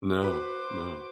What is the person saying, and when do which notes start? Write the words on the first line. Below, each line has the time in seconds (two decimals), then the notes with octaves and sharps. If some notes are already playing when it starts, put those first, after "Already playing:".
No. No.
0.22 F#4 B4 C5 D6